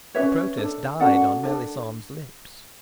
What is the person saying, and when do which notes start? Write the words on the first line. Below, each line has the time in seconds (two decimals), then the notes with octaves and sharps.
The protest died on Melisande's lips.
0.15 C#4 G4 B4 C#5 E5
0.57 D4 A4
1.00 C#4 F#4 A4 D5 F#5
1.43 D4 A4